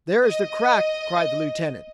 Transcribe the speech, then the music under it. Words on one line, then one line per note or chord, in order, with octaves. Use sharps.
"There is the crack!" cried the lieutenant.
D#5